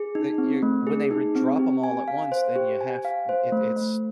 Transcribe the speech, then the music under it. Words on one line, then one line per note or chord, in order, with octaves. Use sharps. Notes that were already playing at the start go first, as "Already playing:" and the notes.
that you're when they wou drop 'em all at once, then ya have it it's
Already playing: G#4
D#4
C4
A3
G#4
D#4
C4
G4
G#5
F5
C5
G4
G#5
F5
C5
A3
A3